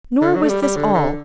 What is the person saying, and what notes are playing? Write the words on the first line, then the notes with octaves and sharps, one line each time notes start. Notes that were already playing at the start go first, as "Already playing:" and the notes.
Nor was this all.
D3
F#3
A3
G3
G3
D3
D3